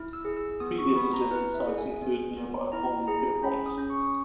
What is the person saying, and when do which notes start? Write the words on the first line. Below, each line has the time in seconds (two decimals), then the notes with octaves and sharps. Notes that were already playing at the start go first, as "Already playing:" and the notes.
Previous suggested sites included nearby Holme Pierrepont.
Already playing: E4
0.13 E6
0.25 G#4
0.37 E6
0.60 B3 D#6
0.78 C#6
0.96 B3 B5
1.13 A#5
1.31 E4 B4
1.54 E5
1.66 G#4
1.78 G#5
2.02 B3
2.37 B3
2.72 E4 A#5
3.07 G#4 A#5
3.43 C#4 B5
3.66 D#6
3.78 C#4
3.90 C#6